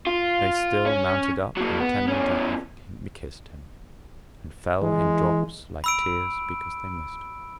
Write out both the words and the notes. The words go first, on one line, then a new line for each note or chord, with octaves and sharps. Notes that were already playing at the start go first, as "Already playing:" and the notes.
"They still mounted up intending to have kiss'd him. And fell in drops like tears because they missed him."
F4
C#4
F#3 A#3
B3
E2 C#4
E3 G#3
B5 E6 D7